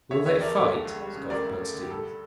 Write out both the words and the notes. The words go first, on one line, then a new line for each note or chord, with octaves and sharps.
"Will they fight?" scoffed Bud Stevens.
E2 C#5 E5
E2 C#5 E5
F3 A#4 D5
D3 A4 C#5
C#2
C#2
G3
C#3
D2 A#4 D5
D2
A3
D3
G4
G2 A4